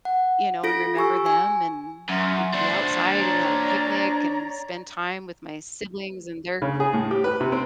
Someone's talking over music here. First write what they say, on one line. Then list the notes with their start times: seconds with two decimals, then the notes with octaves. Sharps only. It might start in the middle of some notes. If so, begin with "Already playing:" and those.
you know, and remember them and, eh be outside and have a picnic and spend time with my siblings and their
0.05 F#5
0.64 F4 A4 A#6 D7
0.96 G4 G#5 C#6 E6
1.26 G#5
2.09 F#2 E5 F#5 C6
2.54 D4 C5
3.20 C#5 D5 A#5
6.62 C#3
6.80 G#4
6.93 A2
7.11 G4
7.24 B4
7.41 C3
7.52 C4